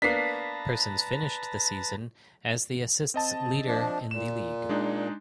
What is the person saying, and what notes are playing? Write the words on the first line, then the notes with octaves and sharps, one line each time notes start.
Persons finished the season as the assists leader in the league.
A#3 B3 D4 B4 A5 A#5 B6 C7
C4 D#5 A5
F3 D4
A#2 E7
G#3 D4 D#4